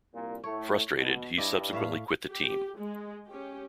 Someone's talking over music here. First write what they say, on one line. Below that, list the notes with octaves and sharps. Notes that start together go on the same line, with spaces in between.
Frustrated, he subsequently quit the team.
C2 A#2
A2 A3 C#5
B2
G2 E4 D5 D#5
A2 E5 F5
G4
G#3
C#4 G4